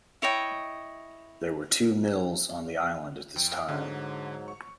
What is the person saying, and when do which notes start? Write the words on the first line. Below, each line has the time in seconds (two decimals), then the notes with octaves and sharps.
There were two mills on the island at this time.
0.22 E4 C#5 D#5 G5
3.36 F2 G5
3.68 G#2 D3 F#3
4.48 C#6